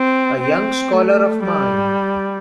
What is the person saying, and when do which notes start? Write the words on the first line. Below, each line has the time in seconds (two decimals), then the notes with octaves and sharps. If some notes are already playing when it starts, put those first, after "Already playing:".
A young scholar of mine.
Already playing: C4
0.41 C4
0.93 A3
1.44 G3